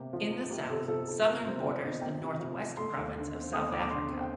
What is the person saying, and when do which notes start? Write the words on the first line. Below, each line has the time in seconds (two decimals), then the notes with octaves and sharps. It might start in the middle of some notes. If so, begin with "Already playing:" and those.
In the south, Southern borders the North West Province of South Africa.
Already playing: C3 A#3 G4
0.13 F3
0.31 D#4
0.50 A#3 G4
0.70 C3 A4
0.88 F3 A4
1.08 D#4 A4
1.26 A#3 A#4
1.39 A#4
1.45 C3 C5
1.64 F3 D5
1.82 D#4 D#5
2.01 A#3 G5
2.21 C3
2.39 F3
2.58 D#4
2.77 A3 C6
2.97 D#2
3.15 D3
3.33 C4
3.53 A3 D#6
3.71 D#2 D6
3.82 D6
3.91 D3 C6
4.09 C4
4.21 G5